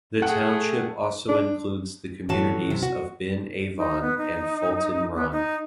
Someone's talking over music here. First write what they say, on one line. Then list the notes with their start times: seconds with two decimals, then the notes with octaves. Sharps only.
The township also includes the communities of Ben Avon and Fulton Run.
0.22 A3 G#4 F#5 G5
1.28 D4
2.29 A2 E3 F#4 A5
2.70 C3
2.83 F#4
3.77 D#4
4.02 B3
4.18 D#4
5.15 B3
5.31 D#4